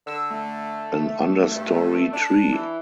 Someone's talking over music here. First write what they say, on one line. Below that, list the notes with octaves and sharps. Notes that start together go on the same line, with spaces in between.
An understorey tree.
D3 E6
A3
G2
D4
E3